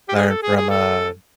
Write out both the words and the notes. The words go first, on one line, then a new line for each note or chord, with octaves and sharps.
learn from, uh,
G4
G#4
A4
G#4
G#4
A4